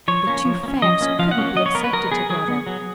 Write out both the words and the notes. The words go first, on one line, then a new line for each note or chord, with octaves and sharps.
The two facts couldn't be accepted together.
F3 C#5
A#3 C#4
F3
A#3
C#4
F3 D#5
A#3 C#4
F3 F5
F#5
A#3 C#4
F#3 D#5
C#5
B3 A#4
B4
F#3 A#4
B3 G#4
F#3 G#4
B3
F#3